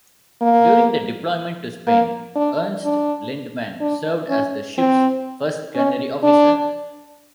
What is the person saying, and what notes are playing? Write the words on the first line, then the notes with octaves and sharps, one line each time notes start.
During the deployment to Spain, Ernst Lindemann served as the ship's first gunnery officer.
A#3
A#3
D4
D4
D4
C#4
C4
C#4
D4